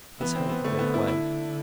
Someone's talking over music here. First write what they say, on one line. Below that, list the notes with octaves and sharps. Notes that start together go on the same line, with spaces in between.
His health gave way.
E3 B3
C4
B3
D3 A3
B3
E4
D3 E4